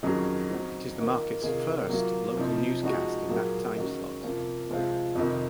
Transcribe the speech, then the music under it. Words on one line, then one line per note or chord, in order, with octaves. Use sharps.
It is the market's first local newscast in that timeslot.
F2 D#3 F#3 C#4 G#4
F#3 C4 D#4
D#3 A#3 F4 A#4
C3 D#3 A#3 F4 G#4
F#3 A#3 F4
C3 F3 C4 D#4
F3 G#3 D#4 F#4
A#2 F#3 A#3 F4 G#4
D#3 G#3 C#4 F#4 A#4
C3 F3 A#3 F4 C5
C3 F3 G#3 C4 F4
F2 C3 D#3